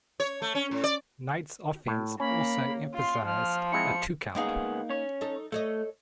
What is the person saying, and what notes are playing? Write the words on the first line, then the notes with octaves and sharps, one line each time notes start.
Knight's offense also emphasized a two-count.
C#5
A3
C#4
A2
D5
A2
A#3 C#4 B5
F4 C6
F3 F6
G#3 C4 E4 C#7
C#2 A#3 B3 D#4 G#4 F5
C#4 C#5
D#4 A4
A3 A4 C#5 D#5